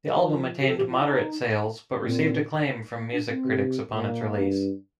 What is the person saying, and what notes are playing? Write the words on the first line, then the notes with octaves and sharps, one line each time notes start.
The album attained moderate sales, but received acclaim from music critics upon its release.
F3
G4
F3 A4
G4
F4
D#4
A#3
A#2 C4
A#3
D4
C4
C3
A#2 A#3
G2